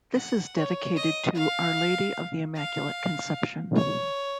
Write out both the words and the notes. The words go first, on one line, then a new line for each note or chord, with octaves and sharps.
This is dedicated to 'Our Lady of the Immaculate Conception'.
F#5
C#5
D#5
F5
F5
C#5